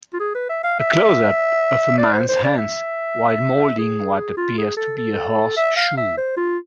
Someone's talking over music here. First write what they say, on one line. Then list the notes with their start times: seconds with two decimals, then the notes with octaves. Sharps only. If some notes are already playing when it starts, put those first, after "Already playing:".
A closeup of a man 's hands while molding what appears to be a horseshoe.
0.13 F4
0.20 G#4
0.35 B4
0.49 E5
0.63 F5
0.80 E5
1.98 D5
2.13 C5
2.28 C5
2.44 D5
2.58 E5
3.78 G#4
4.37 F4
4.58 G#4
4.77 A4
4.98 A4
5.57 E5
5.76 F5
5.97 E5
6.17 C5
6.37 F4